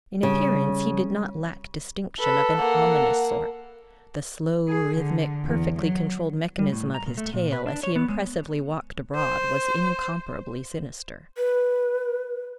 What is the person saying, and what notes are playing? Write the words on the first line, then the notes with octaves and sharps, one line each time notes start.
In appearance he did not lack distinction of an ominous sort; the slow, rhythmic, perfectly controlled mechanism of his tail, as he impressively walked abroad, was incomparably sinister.
C#3 G3
A4 B4
A#3 F#5
G#4
D3
E2
F#3
G3
A2
A#5
A#2
A3
A#2
B4
D4
C#5
B3
G#3
C5
B4